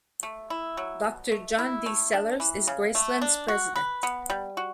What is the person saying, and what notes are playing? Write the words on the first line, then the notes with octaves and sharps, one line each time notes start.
Doctor John D. Sellars is Graceland's president.
A3
E4
F#3
B2
A3
E4
A3
D4
E3
C#3
A3
D4
F#4
B4
B3
G3
F#4